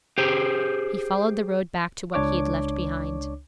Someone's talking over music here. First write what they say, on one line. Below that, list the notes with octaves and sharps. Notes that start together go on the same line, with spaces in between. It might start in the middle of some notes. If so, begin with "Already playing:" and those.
He followed the road back to what he had left behind.
G4 G#4 C5
C#2 D4 C#5 D6